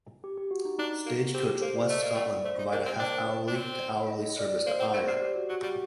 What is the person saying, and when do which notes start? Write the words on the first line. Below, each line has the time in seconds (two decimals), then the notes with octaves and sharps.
Stagecoach West Scotland provide a half-hourly to hourly service to Ayr.
0.24 G4
0.37 G4
0.51 F#4
0.65 D#4
0.78 D4 D#4
1.06 A#3 F#4
1.34 C4 G4
1.48 A4
1.62 A#3 C5
1.76 D5
1.89 A3 D#5
2.03 A#3
2.16 A3 D5
2.44 A3 C5
2.59 D#4
2.72 D4 A#4
2.86 C4
3.00 D4 C5
3.48 D4
3.55 C4
4.11 D#5
4.39 D5
4.66 A#3 C5
4.80 C4
4.94 A3 C5
5.07 C3 D5
5.22 G4
5.36 F#4
5.49 F#3 F#4
5.63 G3 G4